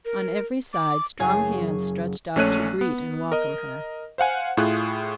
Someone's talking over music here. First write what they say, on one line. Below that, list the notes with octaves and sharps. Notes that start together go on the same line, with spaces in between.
On every side strong hands stretched out to greet and welcome her.
A#4
D6
F#1 G#4 C#5 F5
A#1 A3 C#4 C#5 F#6 D#7
B3
A#4 D#5
C5 F5 F#5 G#5
A2 E4 F4 G#4 F#6